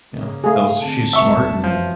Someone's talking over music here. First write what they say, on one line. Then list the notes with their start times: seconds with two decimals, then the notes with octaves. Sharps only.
Yeah, that was she's smart and
0.14 C#3 A#3
0.44 A3 G#4 F5
0.80 D3 C4 A5
1.13 F1 G3 E5 C#6
1.64 F#2 E3 F3